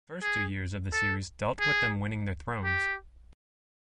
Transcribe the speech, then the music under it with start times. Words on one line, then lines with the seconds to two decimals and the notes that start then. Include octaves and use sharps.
The first two years of the series dealt with them winning their thrones.
0.23 G#4
0.92 A4
1.60 G#4
2.64 G4